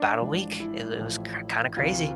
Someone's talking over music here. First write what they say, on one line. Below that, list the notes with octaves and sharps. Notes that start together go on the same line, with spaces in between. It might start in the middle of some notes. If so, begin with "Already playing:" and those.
'bout a week, it it was k kinda crazy.
Already playing: D4
A1 G#2 F3
E4
A1 A2 F3
D2 C3 E3 F4